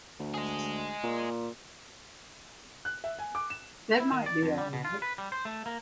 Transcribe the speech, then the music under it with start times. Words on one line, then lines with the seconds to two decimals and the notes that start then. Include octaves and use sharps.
That might be all right.
0.19 D2
0.34 G#4 D#5
1.04 A#2
2.85 F#6
3.04 E5
3.19 G#5
3.35 D6
3.50 E7
4.00 E4
4.12 D#3
4.26 D5
4.42 F2
4.58 G3
4.73 B2
4.85 F4
5.02 B4
5.18 G3
5.32 C5
5.45 A3
5.66 A#3